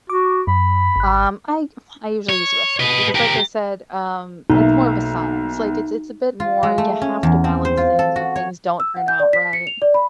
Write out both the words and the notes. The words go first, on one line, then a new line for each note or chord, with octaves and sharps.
Um, I I usually use a recipe because, like I said, um, that's more of a science. Like, it's it's a bit more you have to balance things or things don't turn out right.
F#4 D6
F#2 B5
G#1 F#6
C#5
B4 D#5
G4 A#4
B1 A#3 D#4 E5
F4
G#3
A3
C#4
E2
C4
C5
F4
A4
F#4
C#5
E6
F#5
G6
D5
B6
C#7
F7
D5
B5